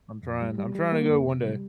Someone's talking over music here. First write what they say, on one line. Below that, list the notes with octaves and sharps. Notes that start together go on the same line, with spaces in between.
I'm trying I'm trying to go one day.
F2
G3
G3
G3
A#3
F2
C3
G3